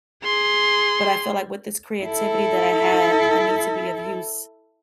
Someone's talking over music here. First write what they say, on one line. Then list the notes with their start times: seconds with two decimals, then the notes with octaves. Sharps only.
But I feel like with this creativity that I have, I need to be of use,
0.24 G#4 C6
2.04 E4 A4